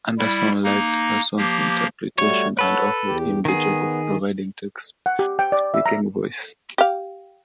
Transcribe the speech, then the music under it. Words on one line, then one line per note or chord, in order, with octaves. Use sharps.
Anderson liked Parsons' interpretation and offered him the job of providing Tex's speaking voice.
G3 E4
A#3 D#4
F3 A#3 G4
G3 A3 F#4 C#5
A4 B4 C#5 F#5
E2 G4
D#3 B3 G#4
F#5
G4
G5
D5
E5
A#5
G4 F5